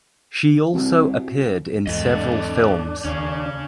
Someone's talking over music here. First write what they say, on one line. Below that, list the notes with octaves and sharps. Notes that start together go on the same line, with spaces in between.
She also appeared in several films.
C2 F#4
E2 G#2 A4 D#5
D4
D#2 C#3 C#4